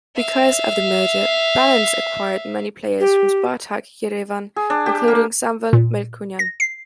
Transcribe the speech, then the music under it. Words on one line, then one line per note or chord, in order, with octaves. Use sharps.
Because of the merger, Banants acquired many players from Spartak Yerevan, including Samvel Melkonyan.
E5 F5
G4
G#4
D4
G4
A#3
A#2
A#6
C7